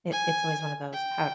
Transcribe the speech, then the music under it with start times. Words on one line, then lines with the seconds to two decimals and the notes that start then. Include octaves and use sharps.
it it's always one of those har m m
0.12 G#5
0.93 G5